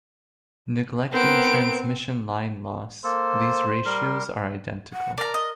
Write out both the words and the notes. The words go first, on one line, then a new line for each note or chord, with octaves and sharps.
Neglecting transmission line loss, these ratios are identical.
B3 C4 A#4 C5 D7
A#3 A4 C5
G3 A#4 C6
F#5
A#4 D5 A#5
D#5